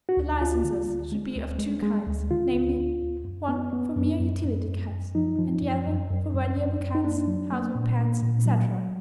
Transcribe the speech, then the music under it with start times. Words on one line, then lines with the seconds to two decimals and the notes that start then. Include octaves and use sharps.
The licences should be of two kinds, namely:--one for mere utility cats, and the other for valuable cats, household pets, etc.
0.09 F#4
0.17 D2
0.41 D2 F4
0.65 D3
0.88 D2
1.12 G#3
1.35 D2
1.59 G#3
1.82 G#3
2.07 D2
2.31 D3 F4
2.54 D2
2.78 D2
3.01 D2
3.25 F#2
3.49 B3
3.73 B3
3.96 F#2
4.20 F#2
4.44 F#2
4.67 F#2
4.92 F#2
5.15 F3 D#4
5.38 F3
5.62 F#2
5.86 F#2
6.10 F#2
6.34 F#2
6.57 F#2
6.80 F#2
6.95 D#4
7.04 A#3 D4
7.28 F#3
7.52 A#3
7.75 A#2
7.99 A#3
8.23 A#2
8.46 F#3
8.70 F#3